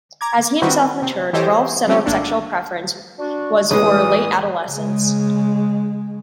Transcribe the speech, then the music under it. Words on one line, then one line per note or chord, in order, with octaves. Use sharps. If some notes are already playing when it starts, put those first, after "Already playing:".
As he himself matured, Rolfe's settled sexual preference was for late adolescents.
A#5 D6 G#6
D#3 G3 C4 F#4 B4
C3
E3 G4 A4 C5 C#5 D#5
F3 G3 C4 C#4 G4
G#1 A#3 D4 A4
D4 F#4
A1 E3 G#3 D#6
C#3 G#3